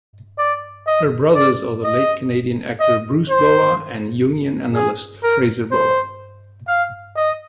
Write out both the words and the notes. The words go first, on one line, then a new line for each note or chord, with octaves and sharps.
Her brothers are the late Canadian actor Bruce Boa and Jungian analyst Fraser Boa.
D5
D#5
D5
D#5
D#5
C5
G#4
A#4
C5
F5
D#5